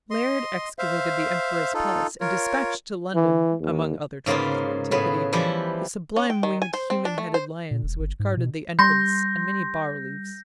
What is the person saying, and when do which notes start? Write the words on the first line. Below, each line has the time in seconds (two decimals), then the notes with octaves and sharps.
Layard excavated the emperor's palace and dispatched to London, among other treasures of antiquity, the sublime winged human-headed lions which guarded the entrance, and many bas reliefs.
0.11 D#5 C6
0.79 C5 E5 F5
1.74 D#4 F4 A4
2.21 F4 A#4 C#5
3.15 E3
3.60 D#2
4.26 G#2 C#3 A#3 B3 F4
4.91 A2 C#3 B3 B4
5.33 E3 F3 G3 E4 G4
6.16 C#4
6.30 G5
6.43 D#3
6.62 G#5
6.74 C5
6.90 C4
7.05 D4
7.18 A3
7.34 C5
7.71 A#2
7.83 E1
7.99 G1
8.20 G#2
8.37 B2
8.79 G3 C6 G6 A#6